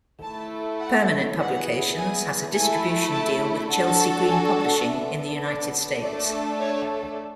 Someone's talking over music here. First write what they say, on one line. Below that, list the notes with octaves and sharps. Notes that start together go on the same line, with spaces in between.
Permanent Publications has a distribution deal with Chelsea Green Publishing in the United States.
A3 E4 A4 A5
F#5
B3 E4 G#4 F#5
G#5
A3 E4 A4 G#5
A5
D4 F#4 A4 A5
G#5
B3 D4 A4 E5
D5
A3 D4 A4 D5
C#5